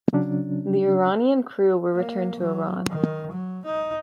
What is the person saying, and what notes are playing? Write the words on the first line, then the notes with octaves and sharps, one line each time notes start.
The Iranian crew were returned to Iran.
C#3 F#3 C#4 D4
A#3
F#3
D#3
F#3
D#4